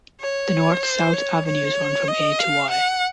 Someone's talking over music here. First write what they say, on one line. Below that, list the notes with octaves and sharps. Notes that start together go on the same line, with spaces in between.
The north-south avenues run from A to Y.
C#5
C5
C#5
C#5
D#5
F5
F#5